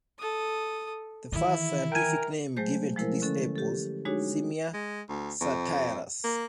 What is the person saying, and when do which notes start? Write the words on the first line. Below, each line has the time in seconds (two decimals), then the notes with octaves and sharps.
The first scientific name given to this ape was "Simia satyrus".
0.18 A4 D#6
1.32 D#3 E3 E4
1.92 A#4 G5 G#5
2.56 F#3 G#3 A3 G#4 C5 G6
2.96 F3 G#3 A3 E4 A#4 C5
3.22 D3 C#4 A4
3.56 G4 A4
4.05 G#3 D4 D#4 F#4 G#4 C#5
4.74 G#3
5.09 D2
5.41 F2
6.24 A#3